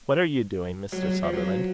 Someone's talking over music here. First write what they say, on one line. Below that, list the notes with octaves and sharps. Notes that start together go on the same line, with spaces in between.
"What are you doing, Mr. Sutherland?"
F#3
F#3
F3
F#3